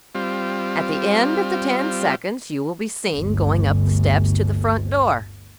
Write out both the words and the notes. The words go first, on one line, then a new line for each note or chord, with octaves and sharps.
At the end of the ten seconds you will be seen going up the steps to the front door.
G3 C4 F4
G1 D2